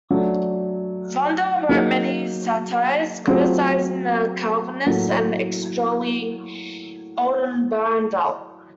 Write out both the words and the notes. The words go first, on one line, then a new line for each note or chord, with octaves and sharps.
Vondel wrote many satires criticising the Calvinists and extolling Oldenbarnevelt.
F#3 A3 D4
F#3 A#3 D#4 G#4
F#3 A3 C4 F4 G#4
A2 F#3 A#3